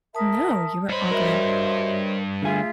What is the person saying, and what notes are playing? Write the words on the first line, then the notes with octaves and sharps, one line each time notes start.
No, you were all good.
A#4 E5 A5 D#6
G2 C5 C#5 D#5 B5
F#4 A#4 E5
D3 A3 F4 G#4 E5 G#5